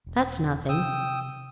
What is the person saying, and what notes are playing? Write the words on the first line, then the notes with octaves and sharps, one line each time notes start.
'That's nothing.
E1
C3 G5 D#6 E6